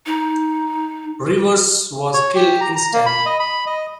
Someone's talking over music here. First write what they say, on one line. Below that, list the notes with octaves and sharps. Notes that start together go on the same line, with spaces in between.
Rivers was killed instantly.
D#4
C#5
G4
A#5
A#5
A#3
B5
D#5
B5
D#5